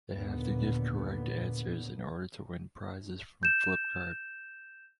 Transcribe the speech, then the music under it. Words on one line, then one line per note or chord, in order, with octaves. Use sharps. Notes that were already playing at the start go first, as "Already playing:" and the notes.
They have to give correct answers in order to win prizes from Flipkart.
D#2 A#2 D3 B3
G6 E7